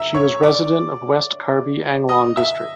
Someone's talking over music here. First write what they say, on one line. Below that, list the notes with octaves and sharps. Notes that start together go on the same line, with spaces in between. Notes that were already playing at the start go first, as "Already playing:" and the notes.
She was resident of West Karbi Anglong district.
Already playing: E5 A#5 E6
C#5 C#6
D5 D6
D#5 D#6
E5 E6